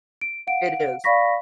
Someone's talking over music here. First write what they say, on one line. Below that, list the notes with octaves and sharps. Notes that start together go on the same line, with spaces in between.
It is.
D7
F5 F#5 D7
D5 F5 B5 C#6 A#6 B6